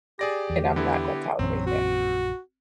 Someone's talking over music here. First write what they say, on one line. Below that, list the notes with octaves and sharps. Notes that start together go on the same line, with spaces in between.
and I'm not gonna tolerate that.
G4 G#4 D5 A#6
E2
D3 B3 E4
A#1 F#2 E3 F#3 C4
F#4